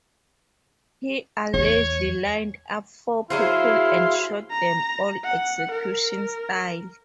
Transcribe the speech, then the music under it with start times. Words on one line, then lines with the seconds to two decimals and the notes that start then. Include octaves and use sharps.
He allegedly lined up four people and shot them all execution style.
1.54 E2 C#5
3.30 F#3 E4 G#4 C5 F5 C6
4.51 A#5
5.24 F#5
5.71 A#4